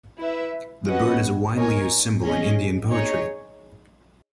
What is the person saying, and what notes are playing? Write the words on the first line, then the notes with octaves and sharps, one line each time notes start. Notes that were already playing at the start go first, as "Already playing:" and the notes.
The bird is a widely used symbol in Indian poetry.
E4 B4 E5
C#4 F#4 B4 D#5 F#5
D#4 A#4 C#5 G#5
C#4 G#4 D#5
D#4 G#4 C#5